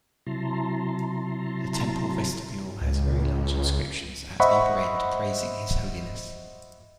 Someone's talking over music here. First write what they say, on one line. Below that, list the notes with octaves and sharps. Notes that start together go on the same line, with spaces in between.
The temple vestibule has very large inscriptions at either end praising his holiness.
C3 F#3 E4 A5 A#5 C6
C#2
C5 D#5 E5 F#5 B5 C#6